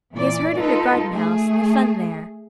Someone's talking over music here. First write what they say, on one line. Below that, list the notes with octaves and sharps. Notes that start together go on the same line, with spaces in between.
He has heard of your garden-house and the fun there.'
A#2 E3 D5
D#4 F4 A4 B4
A3 G#4